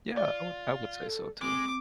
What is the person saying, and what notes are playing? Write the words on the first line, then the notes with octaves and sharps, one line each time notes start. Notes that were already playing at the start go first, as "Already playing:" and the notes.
Yeah. I would I would say so too.
F4 D5
A4
G#3 C4 D6